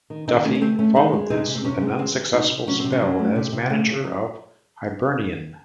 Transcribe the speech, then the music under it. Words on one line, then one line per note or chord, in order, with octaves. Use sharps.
Duffy followed this with an unsuccessful spell as manager of Hibernian.
D#3
D#3 C4 D#4
A3 C#4
C#4
A3 C4
A3 C#4
G#3 C4 D#4
G#3
C3 C4 D#4
C3
C4
C3 C#4
G#3
E3 C4
G#3
C3 C4 D#4
C3
F#3 C#4
C3 C4
C#4
F#3
A3
C3
C3
A3
C#3
F#3